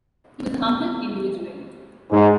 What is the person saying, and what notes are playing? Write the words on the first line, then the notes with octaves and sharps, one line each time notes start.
He was a humble individual.
G#2